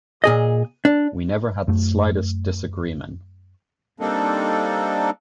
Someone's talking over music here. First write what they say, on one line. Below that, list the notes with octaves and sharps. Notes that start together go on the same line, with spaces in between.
We never had the slightest disagreemen.
A#2 G#4 D#5
D4
F#2 A3
G3 A#3 C4 D4 D#4 A4